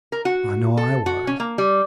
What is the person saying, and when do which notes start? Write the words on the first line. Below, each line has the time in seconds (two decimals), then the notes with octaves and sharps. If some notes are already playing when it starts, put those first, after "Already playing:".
I know I was.
0.12 A#4
0.25 F#4
0.77 A4
1.06 F#4
1.27 C#4
1.40 A#3
1.58 G3